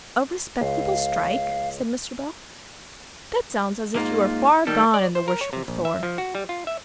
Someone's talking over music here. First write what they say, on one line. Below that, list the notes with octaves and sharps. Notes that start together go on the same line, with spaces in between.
'A respectable strike!' said Mr. Bell. 'That sounds as if you were far gone in the worship of Thor.'
C#2 F5
G#2 A#3 F4
D#3 G3 A4
D5
C5
A#4
C#5
C3
A#1
E5
F3
F#4
G3
F4
E5